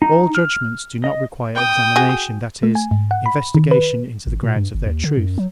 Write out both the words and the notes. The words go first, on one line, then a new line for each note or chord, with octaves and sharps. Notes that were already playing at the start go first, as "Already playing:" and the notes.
All judgements do not require examination, that is, investigation into the grounds of their truth.
D#4
F6
D#5
G5 D#6
F#4 G#4
A3
G#5
G#2
F#5
B5
D#3
B4
G#1
A#2
G2
G1
D#2
D3
F#2
F#3